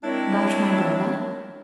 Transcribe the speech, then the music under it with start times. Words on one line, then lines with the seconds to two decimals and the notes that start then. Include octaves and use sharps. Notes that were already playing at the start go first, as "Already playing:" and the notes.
"About my brother?"
0.04 G#3 C4 D4 E4 A#4 C#5